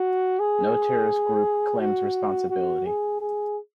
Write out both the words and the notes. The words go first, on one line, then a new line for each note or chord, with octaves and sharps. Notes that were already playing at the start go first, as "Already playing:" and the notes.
No terrorist group claims responsibility.
Already playing: F#4
G#4
F#4
F#4
G#4
G#4